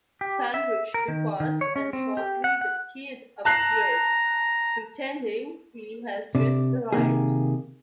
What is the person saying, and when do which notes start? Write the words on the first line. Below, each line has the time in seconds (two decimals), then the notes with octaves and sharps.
Sandridge departs and shortly the Kid appears, pretending he has just arrived.
0.21 G4
0.54 E5
0.94 A#4
1.08 D#3
1.40 D#3
1.61 C#5
1.76 C#4
1.93 C4
2.17 G4
2.44 F#5
2.61 F#5
3.45 A5 A#5 F#6 C7
6.35 C3 D4
6.93 C3 D#3 A#3 G#4